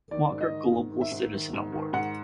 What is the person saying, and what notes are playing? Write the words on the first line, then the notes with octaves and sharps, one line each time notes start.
Walker Global Citizen Award.
D#3 D5
G#2
D#5
D#3
G#2
D#3
E5
G#2
D#3
G#2
D#3
G#2 F#5